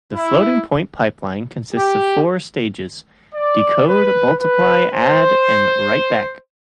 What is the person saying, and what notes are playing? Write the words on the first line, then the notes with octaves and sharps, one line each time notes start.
The floating point pipeline consists of four stages, "decode", "multiply", "add" and "writeback".
E4
G4
D5
B4
B4
C5